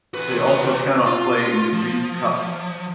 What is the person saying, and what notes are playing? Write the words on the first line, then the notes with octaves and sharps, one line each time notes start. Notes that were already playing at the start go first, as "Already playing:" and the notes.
They also cannot play in the Greek Cup.
E2 B4
F4
F3